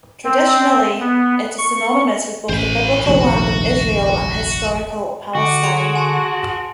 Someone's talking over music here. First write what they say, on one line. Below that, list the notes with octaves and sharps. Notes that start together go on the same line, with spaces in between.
Traditionally, it is synonymous with both the biblical Land of Israel and historical Palestine.
C4
B3
C#6
A1 C5 B5
F1 A#1 D#2 F#4
D3 F#4 C#6 D6
G#4 C6 C#6 D7 F7
G#5 A5 C6